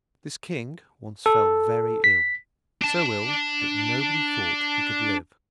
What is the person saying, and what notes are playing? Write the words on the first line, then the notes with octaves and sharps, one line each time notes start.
This king once fell very ill--so ill that nobody thought he could live.
A4
B6
D4 A5